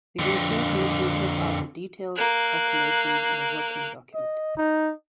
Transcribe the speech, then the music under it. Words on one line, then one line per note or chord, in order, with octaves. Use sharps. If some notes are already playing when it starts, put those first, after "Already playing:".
The European Commission sets out the detailed calculations in a working document.
F2 D3
A#3 F#6
D#5
D#4